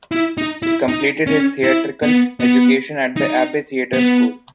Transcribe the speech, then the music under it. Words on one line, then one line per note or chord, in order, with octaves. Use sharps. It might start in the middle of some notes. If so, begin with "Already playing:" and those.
He completed his theatrical education at the Abbey Theatre School.
E4
D#4
E4
D#4
C#4
E4
B3
B3
D#4
B3